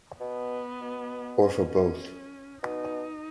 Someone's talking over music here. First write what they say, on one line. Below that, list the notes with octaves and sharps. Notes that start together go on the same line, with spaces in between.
Or for both.
B2 B3
B2
C#4
C#4
B2 D#4